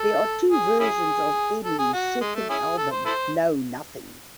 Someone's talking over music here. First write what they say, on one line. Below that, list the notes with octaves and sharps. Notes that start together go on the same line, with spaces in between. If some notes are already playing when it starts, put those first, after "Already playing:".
There are two versions of Emmi's second album "No Nothing".
Already playing: A4
G#4
C#4 E4 G#4
A4
G#4
F#4
G#3
A3
C#4 E4 G#4
A4
C5
E4 A4 C5